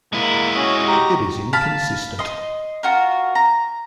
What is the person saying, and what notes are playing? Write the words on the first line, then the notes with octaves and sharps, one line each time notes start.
It is inconsistent.
G#3 A#3 E4
C#4 F#4 D#5
G4 A#5
F5 A5 B5
D#5 C6
F4 F#4 A#4
A#5